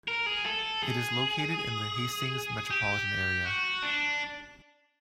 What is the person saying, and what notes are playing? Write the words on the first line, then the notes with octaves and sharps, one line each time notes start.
It is located in the Hastings Metropolitan Area.
A#4
G#4
A4
G#4
G4
F#4
D4